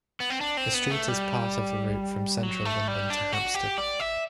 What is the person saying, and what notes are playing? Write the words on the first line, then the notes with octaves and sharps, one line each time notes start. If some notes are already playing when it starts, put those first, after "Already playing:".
The street is part of the route from central London to Hampstead.
B3
C4
D4
C4
B3
A3
G3
F#3
A3
G3
D4
F#4
G4
D5
E5